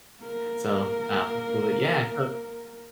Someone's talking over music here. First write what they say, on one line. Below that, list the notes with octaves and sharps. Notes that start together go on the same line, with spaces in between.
So, uh well, yeah, so
A#3 A#4